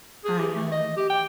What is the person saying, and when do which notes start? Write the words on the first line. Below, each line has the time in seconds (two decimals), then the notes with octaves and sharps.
I, um
0.25 G#4
0.39 G4
0.54 A3
0.72 D#5
0.97 G4
1.10 G5